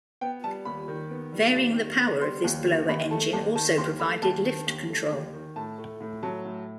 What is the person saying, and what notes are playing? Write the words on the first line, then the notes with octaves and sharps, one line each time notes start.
Varying the power of this blower engine also provided lift control.
B3 G5
G3 A5
D#2 B5
D#3
B3
G3
D#2
D#3
B3
G3 C6
D#2
D#3
D#2 B5
A3 A5
D#2 A5
D#3 A5
D#2 C6
A3 B5
D#2 A5
D#3
D#2
A3
D#2
D#3
A2 A5
A3
A2
F#3 A5
A2